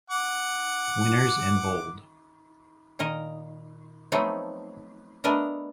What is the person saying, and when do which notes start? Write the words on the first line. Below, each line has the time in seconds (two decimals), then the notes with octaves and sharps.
Winners in Bold.
0.10 F#5 D6
2.99 A#2 D#3 A#4 D#5
4.12 F3 F#3 A3 B3 C4 D#4
5.24 A3 B3 D4 A#4 B4 D#5